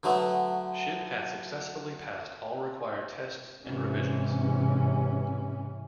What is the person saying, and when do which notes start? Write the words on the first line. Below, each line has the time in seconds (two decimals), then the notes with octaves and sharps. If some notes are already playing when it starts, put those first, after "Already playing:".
The ship had successfully passed all required tests and revisions.
0.03 D3 F#3 A3 B3
3.65 G#2 C3 E3 C#4